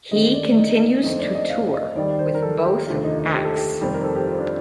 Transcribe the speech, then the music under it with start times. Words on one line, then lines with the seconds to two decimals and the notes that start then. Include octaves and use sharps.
He continues to tour with both acts.
0.11 D#2 D3 A3 C4 D#5
0.34 D5
0.57 D#4
1.03 F2 D3 A3 C4 D#4
1.19 D5
1.35 D#5
1.50 F5
1.73 D#5
1.95 D#2 D#3 G3 D5
2.19 C5
2.35 A#4
2.42 A4
2.65 G4
2.88 F1 D#2 D3 A3 F4
3.04 D#4
3.19 D#4
3.34 G4
3.45 A4
3.56 G4
3.81 F1 F2 D#3 G3 C5
3.94 A#4
4.04 A4
4.15 G4
4.27 F4
4.38 D4